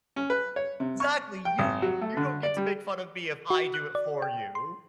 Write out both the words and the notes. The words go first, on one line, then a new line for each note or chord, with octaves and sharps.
Exactly! "You you don't get to make fun of me if I do it for you!"
C#4
B4
C#5
C3
C#6
G5
G#1
F#3
A3
D3
D5
G3
F#4
F#6
D5
G5
C6